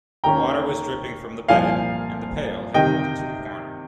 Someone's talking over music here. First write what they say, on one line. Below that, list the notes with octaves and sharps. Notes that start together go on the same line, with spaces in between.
The water was dripping from the bed, the pail had rolled into a corner.
D#2 D#3 A#3 C#4 G5 A#5
C2 A#2 F3 F5 G#5
C3 D#3 D#5 G5